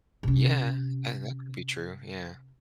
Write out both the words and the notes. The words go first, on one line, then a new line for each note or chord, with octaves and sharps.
Yeah, that that could be true, yeah.
C3 C#4